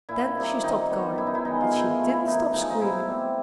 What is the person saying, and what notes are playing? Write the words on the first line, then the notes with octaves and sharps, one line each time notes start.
Then she stopped going, but she didn't stop screaming.
A#2 E4
G3 C4 D#4
D#3 D#4
G3 B3
F#2 E4
D#4
E4
D#3 G#3 B3 D#4
F4
G#2 E4
F4
E3 A3
E4
F#2 D#4
C#3 F3 D#4
D#4
B2 E4
G3 C4